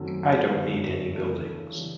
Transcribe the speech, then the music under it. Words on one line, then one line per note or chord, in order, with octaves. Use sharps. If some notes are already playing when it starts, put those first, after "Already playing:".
I don't need any buildings.
Already playing: F#2 D#3 F#3 A3 C4
G1 F#2 D3 G3
C#3 E3 A3 D4
C#3 E3 G3